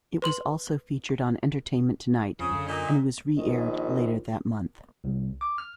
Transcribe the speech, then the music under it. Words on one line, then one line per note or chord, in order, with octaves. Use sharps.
It was also featured on "Entertainment Tonight" and was re-aired later that month.
B4 C6 F#7
F2 C#3 F3
F#2 D3
A#2 D#4
A#1 D#3
C2
D6
F6